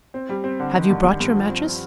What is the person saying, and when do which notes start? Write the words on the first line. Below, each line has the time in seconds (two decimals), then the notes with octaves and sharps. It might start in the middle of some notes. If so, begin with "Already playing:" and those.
Have you brought your mattress?
0.14 C4
0.29 G3
0.44 C4
0.60 D3
0.74 D#3
0.90 G2
1.04 G2
1.20 G2
1.35 F3
1.50 C4
1.66 C4